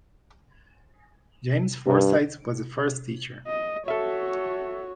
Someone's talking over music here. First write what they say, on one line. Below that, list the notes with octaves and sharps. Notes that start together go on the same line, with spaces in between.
James Forsythe was the first teacher.
G2
D#5
F#4 A4 C#5 E5